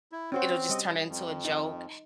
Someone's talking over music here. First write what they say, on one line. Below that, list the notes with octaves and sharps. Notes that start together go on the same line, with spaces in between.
it'll just turn into a joke.
E4
C4 C#4 F#4 C5
G3 D#5
F2
D#4